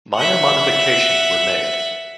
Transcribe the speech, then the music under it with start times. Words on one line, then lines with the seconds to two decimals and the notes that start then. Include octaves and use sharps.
Minor modifications were made.
0.15 E5 F#5